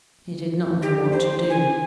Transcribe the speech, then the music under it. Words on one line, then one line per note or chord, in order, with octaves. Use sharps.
He did not know what to do.
G4
C5
G#5